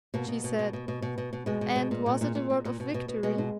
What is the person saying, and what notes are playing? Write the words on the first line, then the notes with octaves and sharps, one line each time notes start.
She said, "And was it a word of victory?"
B2 A#3
B2
B2
B2
B2
B2
B2
B2
B2
B2 G#3
B2
B2
A#2
A#2
A#2
A#2
A#2
A#2
B2
B2
B2
B2 G#3
B2